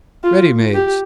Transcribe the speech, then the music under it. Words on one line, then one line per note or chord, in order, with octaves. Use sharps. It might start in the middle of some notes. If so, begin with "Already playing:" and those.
Ready mades.
F4
G4